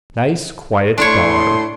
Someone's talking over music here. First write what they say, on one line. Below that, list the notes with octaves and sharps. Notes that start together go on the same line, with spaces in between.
Nice quiet bar.
A2 D4 C#5 C6